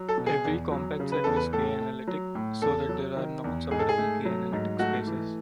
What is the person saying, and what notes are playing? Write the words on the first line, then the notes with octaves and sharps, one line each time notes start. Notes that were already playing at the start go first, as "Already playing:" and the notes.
Every compact set is K-analytic so that there are non-separable K-analytic spaces.
Already playing: F#3
A4
B2
G#4
E2
F#3
C#3
B4
E2 A4
B4
A2 A4
A3
F#3
A2
E2 A4
F#3
D#3
E2
G#2 G#4
A4
G#4
A3
F#3
G#2
A3 F#4
E3